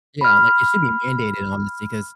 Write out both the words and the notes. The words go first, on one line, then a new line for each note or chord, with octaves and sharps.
Yeah, like, it should be mandated honestly, 'cause
B5 F6